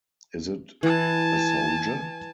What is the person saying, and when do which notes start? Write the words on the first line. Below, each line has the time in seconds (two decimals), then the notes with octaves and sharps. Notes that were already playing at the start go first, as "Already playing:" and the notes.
Is it a soldier?
0.83 E3 G#5 A5